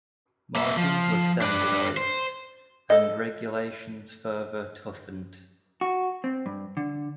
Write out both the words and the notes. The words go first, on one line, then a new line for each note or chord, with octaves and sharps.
Margins were standardized and regulations further toughened.
A#3 E5
F3
D4 B4
C5
A4 D#5
F#4
C4
G2
D3